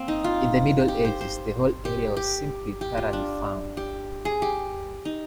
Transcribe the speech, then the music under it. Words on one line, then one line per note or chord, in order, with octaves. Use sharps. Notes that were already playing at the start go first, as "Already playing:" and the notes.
In the Middle Ages the whole area was simply thoroughly farmed.
Already playing: A#3 C4
D#4
F4
G4
C5
C5
G4
G4
G4
F4
D4
G4
G#4
G4
D#4